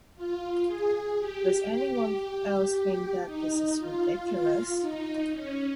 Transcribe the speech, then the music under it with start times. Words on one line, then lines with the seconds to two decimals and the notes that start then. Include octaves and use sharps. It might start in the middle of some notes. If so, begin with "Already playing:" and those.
Does anyone else think that this is ridiculous?
0.16 F4
0.67 G#4
1.19 G4
1.72 G4
3.25 D#4
3.78 F4
4.81 D#4
5.32 C#4